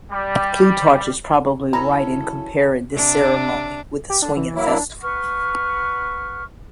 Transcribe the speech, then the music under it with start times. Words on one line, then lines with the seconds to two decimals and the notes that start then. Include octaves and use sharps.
Plutarch is probably right in comparing this ceremony with the swinging-festival.
0.11 G3
1.73 C#3 F#3 C#4 E4 A4 A#5 B5
2.93 C3 D4
4.10 G4
4.22 D3 D4
4.37 E3
4.55 F#3 A#3 E4
4.66 D4
5.00 B4 F#5 C#6 F6